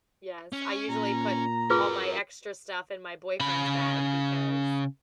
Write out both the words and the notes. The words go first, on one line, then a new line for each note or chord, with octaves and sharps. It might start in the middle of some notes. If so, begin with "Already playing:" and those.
Yes, I usually put all my extra stuff in my boyfriend's bag because
C#4
A#2 A#5
F4 F#4 G#4 A#4 B4
C#3 B5